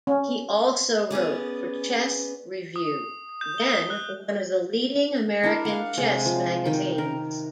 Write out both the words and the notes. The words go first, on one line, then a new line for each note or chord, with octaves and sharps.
He also wrote for "Chess Review", then one of the leading American chess magazines.
C#4
B3 C#4 G#4 D5
D#6
G6
G7
F#6
D4 E4 A#4
F5 F#5
C3 G#3
F3
D#3 G5
A#4